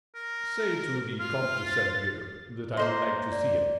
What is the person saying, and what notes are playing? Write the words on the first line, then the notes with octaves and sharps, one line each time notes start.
"Say to the Comte de Salvieux that I would like to see him."
A#4
F4 F6
A6
A#3 C5 D#5 C6
D5